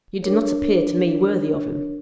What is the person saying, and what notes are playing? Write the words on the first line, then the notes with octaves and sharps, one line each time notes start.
You did not appear to me worthy of him.
D4 A#4 C#5